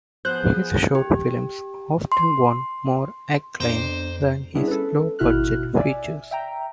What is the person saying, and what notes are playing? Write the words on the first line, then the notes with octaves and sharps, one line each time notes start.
His short films often won more acclaim than his low-budget features.
F3 B3 G#4 C5 F#6 G6
G4
C6
F2 B3 D4 C5 G5 A#5 D6
G3 B3 C#4 D4 E4 G#4
A4 B4
G#1 B2 E4 F#4 F6 F#6
D5 E5 G#5
E5 G5 A#5